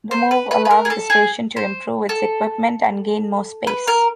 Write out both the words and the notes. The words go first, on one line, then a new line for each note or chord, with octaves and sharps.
The move allowed the station to improve its equipment and gain more space.
C5
B4
B4
B4
A#4
G#4
A4
G#4
C5
A4
B4
A#4